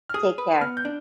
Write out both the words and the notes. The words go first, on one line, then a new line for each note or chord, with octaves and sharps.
Take care.
F6
G#4 D#6
B4
B3 F6
G6
D4